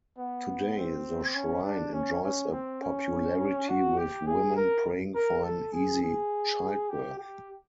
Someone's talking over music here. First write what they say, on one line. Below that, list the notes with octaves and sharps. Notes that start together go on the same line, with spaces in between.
Today the shrine enjoys a popularity with women praying for an easy childbirth.
B3
C4
C#4
D4
C#4
C#4
C4
C#4
F#4
G4
G#4
A#4
A#4
A4
G#4
G#4
G4
G4